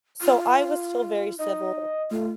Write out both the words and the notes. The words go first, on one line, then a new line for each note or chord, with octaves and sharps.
So, I was still very civil.
F4
D#4 D#5
A3 F4